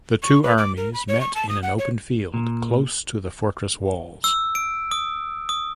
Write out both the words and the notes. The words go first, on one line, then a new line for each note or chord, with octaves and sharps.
The two armies met in an open field close to the fortress walls.
C#6
B4
D6
A#4
B5
C#5
C#6
A5
D#6
F#5
C#5
A#2
E6
D7
D#6
D#6